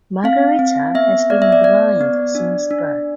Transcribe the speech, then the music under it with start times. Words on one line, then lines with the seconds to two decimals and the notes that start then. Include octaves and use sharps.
Margarita has been blind since birth.
0.24 C4 F5
0.59 C4
0.95 B3 E5
1.30 B3 D5
1.42 E5
1.52 D5
1.64 B3 D5
2.01 B3
2.35 D4
2.71 D4